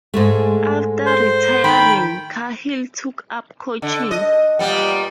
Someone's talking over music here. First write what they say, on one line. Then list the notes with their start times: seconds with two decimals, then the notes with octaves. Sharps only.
After retiring, Cahill took up coaching.
0.14 G#2 G#3 A3
1.06 C5
1.64 D#3 G5 B5
3.82 D3
4.11 D#5
4.59 A#2 G3 B3